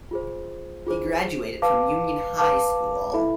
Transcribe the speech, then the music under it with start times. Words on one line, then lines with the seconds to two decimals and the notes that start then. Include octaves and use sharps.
He graduated from Union High School.
0.11 F4 G#4 C5
0.87 F4 G#4 C5
1.62 B4 F5 A5 D6
2.38 B4 F5 A5 D6
3.13 E4 A4 E5 B5